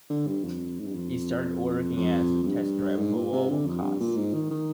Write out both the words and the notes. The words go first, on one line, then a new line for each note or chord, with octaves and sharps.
He started working as a test driver for Volvo Cars.
D3
G2
F2
G#2
G2
F2
F2
F2
G2
G#2
A#2
C3
D3
F2
G2
A#2
G#2
D#3
D#3